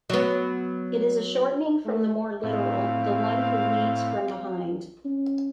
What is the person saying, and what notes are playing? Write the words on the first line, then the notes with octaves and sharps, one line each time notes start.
It is a shortening from the more literal "the one who leads from behind".
F#3 B3
A3
A2 C4 F5
C#4